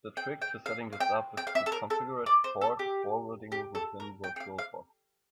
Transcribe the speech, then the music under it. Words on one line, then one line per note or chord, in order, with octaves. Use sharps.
The trick to setting this up is to configure port forwarding within Virtual Box.
G5
G5
F5
F5
G5
G5
F5
E5
A4
A#4
A4
D5
C5
A4
G4
G4
A4
A#4
G5
G5
F5
F5